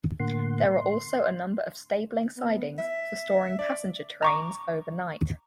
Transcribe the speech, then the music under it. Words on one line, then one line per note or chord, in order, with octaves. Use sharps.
There are also a number of stabling sidings for storing passenger trains overnight.
A2 D3 A#3 F#5 C6
C6
B3
E5
D5
A#5 C#6 D6